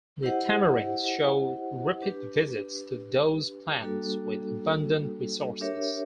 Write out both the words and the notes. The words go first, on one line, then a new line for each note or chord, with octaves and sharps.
The tamarins show repeat visits to those plants with abundant resources.
E4 G4 C5 D#5 F#5
D4 G4 B4
G3 A#3 D4 F#4 A4
D4 G4 A#4 C#5 E5